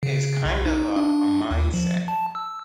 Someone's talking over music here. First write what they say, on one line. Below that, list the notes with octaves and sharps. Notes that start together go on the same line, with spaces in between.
is kind of, uh, a mindset.
C#3
B1
D#4
D4
D#2
F3
A5
E6